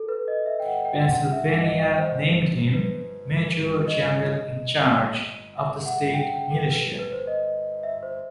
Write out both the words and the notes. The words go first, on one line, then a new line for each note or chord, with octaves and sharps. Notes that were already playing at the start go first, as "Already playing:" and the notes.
Pennsylvania named him major general in charge of the state militia.
Already playing: A4
B4
D#5
E5
G5
F#5
G5
F#5
E5
D#5
D#5
C5
B4
D#5
E5
F#5
G5
G5
A4
B4
B4
C5
D#5
E5
C5